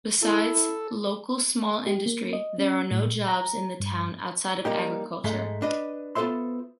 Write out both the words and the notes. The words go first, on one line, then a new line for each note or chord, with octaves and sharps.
Besides local small industry, there are no jobs in the town outside of agriculture.
E4 A4
G4
A#3
D#5
C#4
A2
A#2
A#5
G2
G3 A#3 D#4 G4
G#2 G#3 A3
D4 B4 D#5
B3 F4 A4 C5 E5 C6